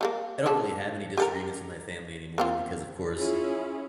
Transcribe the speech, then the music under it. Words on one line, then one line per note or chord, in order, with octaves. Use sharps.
I don't really have any disagreements with my family anymore because of course,
G3 A3 A#3
D4 G#4 A4
G4 A4 A#4
A#3 C4 F4
C#4 E4 F4 G#4